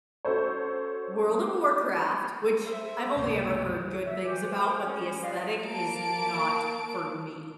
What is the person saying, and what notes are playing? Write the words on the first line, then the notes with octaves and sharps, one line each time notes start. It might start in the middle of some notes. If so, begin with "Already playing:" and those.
World of Warcraft, which I've only ever heard good things about, but the aesthetic is not for me.
C#4 F#4 A4 C5 C#5
G#4 C5 E5
C#2 G2 C3 G3 A#3 G#4
E5
G2 E3 G4
G#4 C5 G5
C#4
F4 G4 B4 D5 D#5 F5
A#3 A5 D7